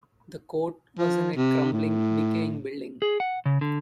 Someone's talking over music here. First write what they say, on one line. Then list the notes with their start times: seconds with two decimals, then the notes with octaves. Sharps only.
The court was in a crumbling, decaying building.
0.98 F3
1.36 C3
1.73 A2
3.02 G#4
3.20 F#5
3.46 C#3
3.61 D3